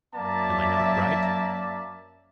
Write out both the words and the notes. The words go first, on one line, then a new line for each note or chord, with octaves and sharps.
Am I not right?
F#2 F#3 A#3 D5 E5 A5